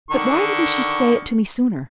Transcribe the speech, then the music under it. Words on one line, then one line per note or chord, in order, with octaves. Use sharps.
"But why didn't you say it to me sooner?"
D3 D#3 C#6